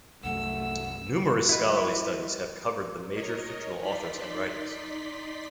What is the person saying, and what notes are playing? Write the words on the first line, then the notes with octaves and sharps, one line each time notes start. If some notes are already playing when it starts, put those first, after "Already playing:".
Numerous scholarly studies have covered the major fictional authors and writings.
C2 F#2 A3 F#5 E6
E4 F#4 B4 D#5 B5
G3
A#4 C#5 D#5
D#4 D5 C6 B6